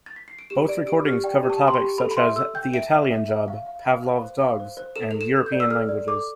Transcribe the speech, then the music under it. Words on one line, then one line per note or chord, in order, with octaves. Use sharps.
Both recordings cover topics such as "The Italian Job", Pavlov's dogs and European languages.
A6
B6
C7
D7
G4 E7
D5 D7
G4 D7
G4 F6
D5 G5
G4
A5
G5
C6
B5
G4
A4 B5
B5
E5 C6
A4 E6
G5 G6
E5 D7
E5
E5
E5
F5
F5
F5
F5
C5
F5
C5
C5
A4 E7
A4 F7
E7
A4
G6
D5
E6
A4 F6
D5
A4 D6